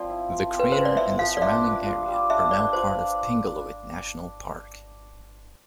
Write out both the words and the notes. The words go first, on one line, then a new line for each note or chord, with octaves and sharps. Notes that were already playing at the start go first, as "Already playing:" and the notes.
The crater and the surrounding area are now part of Pingualuit National Park.
Already playing: F3 C4 D5
E4
F3
C4
B4
F3 C5
D5
E4 E5
F3 F5
D5
D4 E5
B4
F4
G3
D4 E5
B4 D5
F4 C5